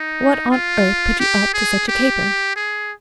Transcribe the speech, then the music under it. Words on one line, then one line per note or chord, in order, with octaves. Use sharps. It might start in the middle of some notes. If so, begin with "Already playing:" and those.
What on earth put you up to such a caper?
Already playing: D#4
F4
G4
G#4
G4
G#4